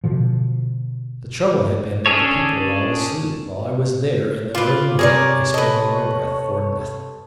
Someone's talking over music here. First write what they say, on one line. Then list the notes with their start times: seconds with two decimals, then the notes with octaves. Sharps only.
The trouble had been that the people were all asleep, while I was there in the early morning expending my breath for nothing.
0.04 B2 D3 F3
2.06 C#4 D4 G#4 A4 C#5
4.55 F4 B4 D6
4.99 C3 G#4 A#4 B4 C#5 D5
5.54 A4 B4 C5 D#5 A5